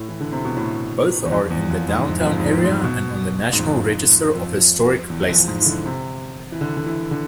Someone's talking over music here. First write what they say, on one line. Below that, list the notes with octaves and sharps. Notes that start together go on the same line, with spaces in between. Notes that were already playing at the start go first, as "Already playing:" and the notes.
Both are in the downtown area and on the National Register of Historic Places.
Already playing: A2
E3
D3
C3
B2
A2
E2
F2
E2
F2
G#2
F2
F2
G#2
G#2
F2
F2
G#2
B2
G#2
F2
F2
E2
F2
F2
G#2
E3
D3
C3
E3
D3
D3
E3
D3